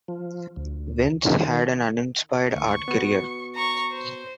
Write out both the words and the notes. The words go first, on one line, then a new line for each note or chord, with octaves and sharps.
Vince had an uninspired art career.
F3
D2
D#3
D2 C#6
B3 F#4
A#5 C#6
C5